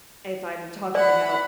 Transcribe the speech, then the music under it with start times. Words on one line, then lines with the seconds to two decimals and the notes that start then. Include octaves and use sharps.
if I'm talking about
0.95 D5 F#5 B5